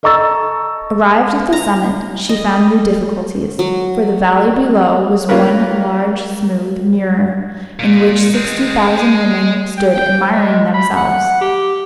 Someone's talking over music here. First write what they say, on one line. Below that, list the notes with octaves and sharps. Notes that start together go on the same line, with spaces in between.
Arrived at the summit she found new difficulties; for the valley below was one large smooth mirror, in which sixty thousand women stood admiring themselves.
A4 D#5 A#5 C#6 E6 A6
A#5
D#5
F#3
A#3 C#4 F4 A#4 B4
A#2
G#3 C4
G#3
G5
G5
G#3
B5
F#5
G4